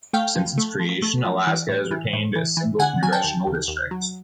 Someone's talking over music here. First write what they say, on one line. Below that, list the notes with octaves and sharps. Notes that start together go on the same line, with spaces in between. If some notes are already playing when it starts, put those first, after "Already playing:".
Since its creation, Alaska has retained a single congressional district.
A3 F5 G5
F3
A3
F3
A3
F3
E3
A2
E3
A2
E3
E3
D3 F#5 G#5
F#3 G#5
G5 A5
D#2
D#2
D#2
F#3